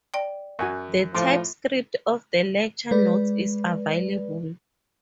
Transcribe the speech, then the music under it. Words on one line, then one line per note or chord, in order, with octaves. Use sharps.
A typescript of the lecture notes is available.
D5 G5
F#2 F#4 G#5 C#6
A2 F3 F4 C6 D6
G#3 B4 D5